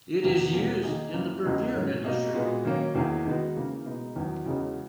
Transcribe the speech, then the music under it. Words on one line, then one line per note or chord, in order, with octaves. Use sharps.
It is used in the perfume industry.
E2 D#3 A#3
E2 B2 A#3 C#4
D#3 A#3 D#4 G#4
F#2 E3 A#3 E4
E2 C#3 G#3 D#4
G#2 F#3 C#4
B2 A#3 D#4 F#4
A#2 G#3 B3 F#4
D#3 F#3 A#3 C#4
E2 D#3 A#3 E4 G#4
D#3 G#3 B3 F#4
C#3 E3 A#3
B2 G#3 B3 D#4
E2 D#3 F#3
E2 C#3 G#3 C#4 F#4